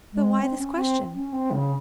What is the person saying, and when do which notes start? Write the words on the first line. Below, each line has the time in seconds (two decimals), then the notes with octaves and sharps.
"But why this question?"
0.13 G#3
0.39 C4
0.57 C#4
0.76 C4
1.14 C#4
1.33 C4
1.51 C#3